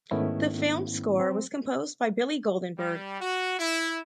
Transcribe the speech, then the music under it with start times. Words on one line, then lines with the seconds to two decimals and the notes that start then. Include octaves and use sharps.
The film score was composed by Billy Goldenberg.
0.11 G#2 D#3 A3 B3 C#4 E4
1.19 F#3 C4
2.78 G3
3.20 F#4
3.59 E4